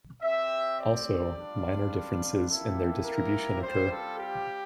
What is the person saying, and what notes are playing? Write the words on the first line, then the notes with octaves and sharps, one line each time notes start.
Also, minor differences in their distribution occur.
C4 G4 E5
D5
G3 D4 F4
A#3 E4 G4 A4
A#4
G3 C4 F4 C5
A4
G4